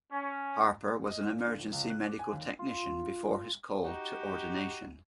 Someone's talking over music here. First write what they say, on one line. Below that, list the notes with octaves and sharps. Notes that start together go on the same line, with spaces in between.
Harper was an Emergency medical technician before his call to ordination.
C#4
D#5
A#2
D3
A#1
C#2
F#6
D6
G#5
D#2
F4
D#4 F#4 G4